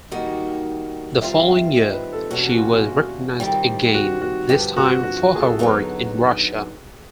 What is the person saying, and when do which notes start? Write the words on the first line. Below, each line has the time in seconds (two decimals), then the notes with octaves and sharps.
The following year, she was recognized again, this time for her work in Russia.
0.12 D#3 G3 A#3 D#4 F#4 D#5
1.21 D#3 G3 C4 F4 E5
1.40 E5
1.57 E5
1.76 D#5
1.94 B4
2.13 A4
2.30 E2 B2 G3 A#3 C#4 F#4
2.50 F#4
2.57 F4
2.86 F#4
3.40 F2 C3 D#3 G3 C4
3.94 F#4
4.22 F#4
4.49 G2 D3 F3 G4
4.76 F#4
5.03 F#4
5.35 G#4
5.40 A4
5.59 D3 F#3 B3 D#4